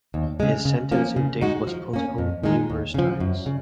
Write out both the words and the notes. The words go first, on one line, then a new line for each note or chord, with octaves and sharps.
His sentencing date was postponed numerous times.
D#2
C#3 G#3
C#3
F3 A#3 C#4
C#3
G#3 D#4 F#4
F3
A#3 C#4
F2
D#3 G#3 D#4
D#2
C#3 F3
F#2
C#3